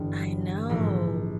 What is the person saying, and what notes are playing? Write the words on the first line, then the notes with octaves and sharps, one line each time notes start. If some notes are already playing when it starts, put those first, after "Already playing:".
I know.
Already playing: G1 G2 E3
A#1 G#2 E3